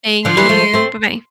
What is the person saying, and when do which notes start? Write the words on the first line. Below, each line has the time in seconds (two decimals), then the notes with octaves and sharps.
Thank you. Bye bye.
0.25 D3 F3 C6
0.37 E3 G3
0.49 F3 A3
0.74 A3 C4